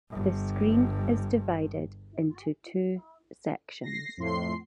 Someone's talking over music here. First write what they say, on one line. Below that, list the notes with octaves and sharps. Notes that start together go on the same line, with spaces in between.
The screen is divided into two sections.
G1 G2
A#6 C7
F2 A2 C6 C7